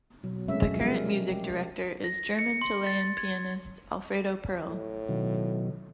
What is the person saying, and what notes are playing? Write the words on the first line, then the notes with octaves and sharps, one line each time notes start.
The current music director is German-Chilean pianist Alfredo Perl.
B2 F#3
C3 G#3 A3 C#4 E5
F3 G3 G#3 A#4 E5
G4
A#6
C#7
C6
A6
G#6
A2
B2 D#3 F#3